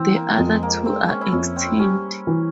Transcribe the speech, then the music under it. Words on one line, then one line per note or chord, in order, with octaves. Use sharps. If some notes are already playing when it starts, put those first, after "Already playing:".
The other two are extinct.
Already playing: E3 C4
A#3
F2 G#3
A#3
G#3 C4
C#4
E4
F2 C#4
C4
G3 C#4
E3